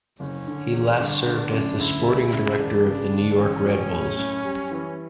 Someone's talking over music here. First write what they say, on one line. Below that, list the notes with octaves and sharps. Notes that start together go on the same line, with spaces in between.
He last served as the sporting director of the New York Red Bulls.
F#1 C#4
D3
E2
G1 D4
D3
F#2
D2 E4
G3
C#3
E1 D4
C#3
D2
A1 C#4
F#3
A2
F#2
G3
E3